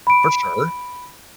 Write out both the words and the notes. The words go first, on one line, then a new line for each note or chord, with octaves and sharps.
For sure.
B5 D7